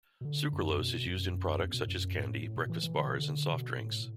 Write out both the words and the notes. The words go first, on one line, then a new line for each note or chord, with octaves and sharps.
Sucralose is used in products such as candy, breakfast bars and soft drinks.
B2
D3
F#2
B2
F#2
F#2
E2
B2
A2
F#2
A2
A2
B2
E3
E3
D3
B2
D3
B2
A2